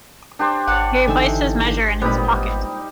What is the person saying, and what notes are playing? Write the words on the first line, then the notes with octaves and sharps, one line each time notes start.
He replaced his measure in his pocket.
D4 G4 C5
G#1 C#5 D5 F#5
D3 E3 D#4 G#5 E6
A#2 G3 G#3 B3 C4 D#4 B5